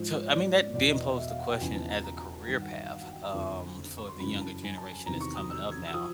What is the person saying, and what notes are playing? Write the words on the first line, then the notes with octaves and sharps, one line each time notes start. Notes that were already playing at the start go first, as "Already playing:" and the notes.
So, I mean that then pose the question as a career path, um, for the younger generation that's coming up now,
Already playing: G#2 F3
C#5
D5
D5
E2 B2 D5
D#5
D#5
E5
F5
F#5
G5
E2 C#3 F3 G#5
A5
A#5
A#5
A#5
A5
G2 D#3 G5
F#5
F5
F#5
F#5
G5
A#5
F2 D3 F3
C#6
C6
F#2 C#3 E3 B5
A5
G#5
A5
G#5
E2 C3 D#3 A#5
C#6
D#6
E6
G#6
E6
F3 D#6